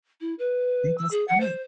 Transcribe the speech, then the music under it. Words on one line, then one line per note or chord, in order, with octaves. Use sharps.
be just kin
E4
B4
E6
G#4
F#5
C5